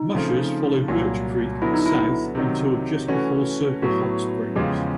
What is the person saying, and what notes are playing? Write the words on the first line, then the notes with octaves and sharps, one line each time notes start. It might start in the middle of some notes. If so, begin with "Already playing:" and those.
Mushers follow Birch Creek south until just before Circle Hot Springs.
Already playing: D#4
C#3 F3 A3 C4 F4
C2 A#2 F#3
D3 F#3 B3 E4
D#4
E4
C3 D#3 F#3
E3 A3 C#4 F#4
A2 F#3 B3 F#4
E2 C#3 F3 G#3 C#4 G4